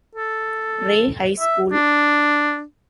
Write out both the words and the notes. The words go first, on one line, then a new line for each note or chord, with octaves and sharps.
Ray High School.
A4
E5
D4